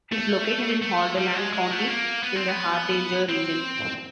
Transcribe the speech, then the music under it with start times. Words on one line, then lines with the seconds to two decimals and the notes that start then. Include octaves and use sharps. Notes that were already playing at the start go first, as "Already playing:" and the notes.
It is located in Hordaland county in the Hardanger region.
0.12 A3
0.82 A3
1.18 G3
1.35 G#3
1.53 G#3
1.71 A3
1.88 A#3
2.23 B3
2.36 C4
2.48 B3
3.29 C4